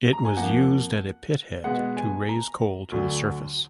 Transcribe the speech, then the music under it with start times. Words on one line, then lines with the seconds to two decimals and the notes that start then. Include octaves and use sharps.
It was used at a pit head to raise coal to the surface.
0.13 A#5
0.25 G#5
0.37 F2 F3 A#3 F#5
1.64 B2 G#3 B3 F#5
1.97 G#5
2.29 A#5
2.92 D2 D3 F#3